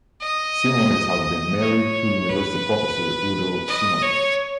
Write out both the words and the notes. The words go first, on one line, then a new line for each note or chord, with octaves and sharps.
Simonis has been married to university professor Udo Simonis.
D#5
C#5
B4
D#5
C#5